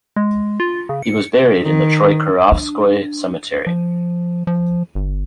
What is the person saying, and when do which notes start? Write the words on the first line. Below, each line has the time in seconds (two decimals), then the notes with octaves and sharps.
He was buried in the Troyekurovskoye Cemetery.
0.16 G#3
0.60 F4
0.89 C#3
1.02 C#7
1.62 D#3
2.52 D4
3.67 F3
4.47 F3
4.95 G1